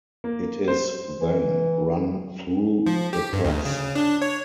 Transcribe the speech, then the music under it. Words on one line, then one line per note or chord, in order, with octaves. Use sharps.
It is then run through the press.
A#3
C5
E3
F3
G4
G2
D2
C#3
D4
C#5